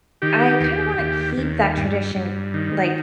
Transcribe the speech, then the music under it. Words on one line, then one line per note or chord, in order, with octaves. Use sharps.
I kinda wanna keep that tradition, like,
D#3 G4
D#2
D#2
D#2
G2
G2
D#3